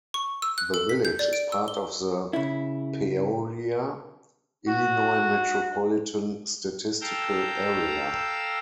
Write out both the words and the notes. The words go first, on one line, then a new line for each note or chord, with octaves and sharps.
The village is part of the Peoria, Illinois Metropolitan Statistical Area.
C#6
E6
F#6
A4
B6
G6
D5
D7
E6
G7
C#3 E4
F#4
A4 F5 G5 A#5 E6 G6